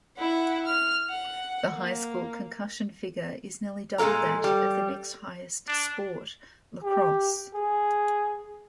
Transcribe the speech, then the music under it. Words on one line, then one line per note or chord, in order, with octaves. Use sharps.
The high school concussion figure is nearly double that of the next-highest sport, lacrosse.
E4 F#5
F6
F#5
A#3
A#2 G#3 A4 A#4 A#5
G3
D4
G4
G#4